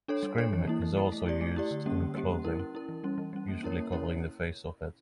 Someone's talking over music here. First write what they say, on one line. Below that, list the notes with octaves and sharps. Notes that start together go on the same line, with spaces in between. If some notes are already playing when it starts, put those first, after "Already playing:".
Scrim is also used in clothing, usually covering the face or head.
D4 A4 C#5
G3
D4 A4 C#5
E3
A#3 E4
E3
A#3 E4
A3
E4 G4 D5
A3
E4 G4 D5
D3
G3 A#3 C#4 G4
D3
G3 A#3 C#4 G4
C#4
E4 A#4
C#4
E4 A#4
E3
G3 C#4
E3
G3 C#4
A#3
C#4 E4 A#4 C#5
A#3
C#4 E4 A#4 C#5